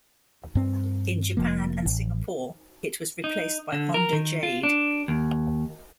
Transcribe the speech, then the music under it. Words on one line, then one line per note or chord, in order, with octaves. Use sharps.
In Japan and Singapore, it was replaced by Honda Jade.
G2 C4
F1 F3 A#3
A1
D#4
D3
A#4
D#3
F4
D4
D#2